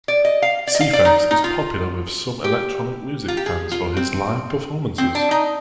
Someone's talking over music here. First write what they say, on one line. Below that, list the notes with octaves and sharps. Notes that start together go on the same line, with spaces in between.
Ceephax is popular with some electronic music fans for his live performances.
D5
D#5
F5
D5
D#5
F5
D5
D#4
D#4
F4
G4
F4
G4
G#4
F4
C4
C4
D4
D#4